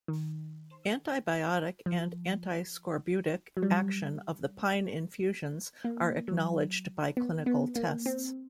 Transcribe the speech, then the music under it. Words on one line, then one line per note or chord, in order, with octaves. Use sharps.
Anti-biotic and anti-scorbutic action of the pine infusions are acknowledged by clinical tests.
D#3
F3
F#3
G3
A#3
F#3
B3
B3
A#3
C4